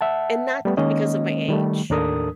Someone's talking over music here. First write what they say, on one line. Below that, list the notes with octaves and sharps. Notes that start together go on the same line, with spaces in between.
and not just because of my age.
E5 F#5 A5
G3 A3 B3
D#3 G#3 A#3 C#4 D#5
D#3 G3 A3
D#2 A2 D4 A4 A#4 D#6